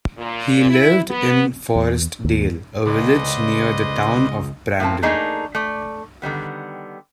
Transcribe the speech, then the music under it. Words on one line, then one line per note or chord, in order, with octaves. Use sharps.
He lived in Forest Dale, a village near the town of Brandon.
A#2
E4
B3
E2
D#2
C#2 B4 C5 D5 D#5
A2 A#3 C4 A5
A3 A#3 D4 D#4 G#4
A3 D5
D3 D#3 G3 B3